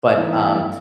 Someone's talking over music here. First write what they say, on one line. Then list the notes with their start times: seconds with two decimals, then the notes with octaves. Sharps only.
but, um.
0.17 E3 A3 B3 D#4 E4